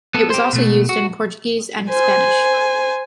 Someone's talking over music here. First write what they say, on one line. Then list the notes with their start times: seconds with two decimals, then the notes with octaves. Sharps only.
It was also used in Portuguese, and Spanish.
0.14 B3 A4
0.30 G4 C5
0.53 B2 A3
0.89 F#4
1.89 C5 G#5